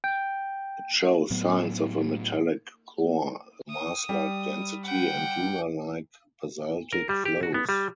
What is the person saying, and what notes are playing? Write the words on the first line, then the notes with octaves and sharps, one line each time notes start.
It shows signs of a metallic core, a Mars-like density and lunar-like basaltic flows.
G5
A2 F#3 B3
D#6
G3
F#5 G5
A#4
G3
G4
F#4
B3
G3